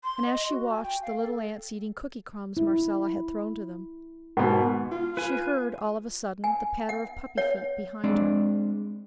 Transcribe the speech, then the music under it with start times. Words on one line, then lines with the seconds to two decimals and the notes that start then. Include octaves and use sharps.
And as she watched the little ants eating cookie crumbs Marcella had thrown to them, she heard all of a sudden the patter of puppy feet behind her.
0.04 C6
0.26 D#5
0.49 F#4
0.70 G#5
0.83 G5
1.02 F5
1.22 A4
2.57 E4
4.37 G#2 B2 A#4
4.91 F4
5.17 F4 B4 G#5
6.44 G#5
6.89 F#5
7.38 C#5 F#5
8.04 G#3 C4 D4 D5